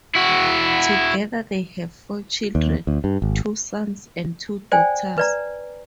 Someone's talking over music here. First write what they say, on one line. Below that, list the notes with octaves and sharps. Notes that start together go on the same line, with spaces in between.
Together they have four children: two sons and two daughters.
E4 F#4
D#2
D2
G2
G#1
C5 D5 G5 G#5
B4 D5 A#5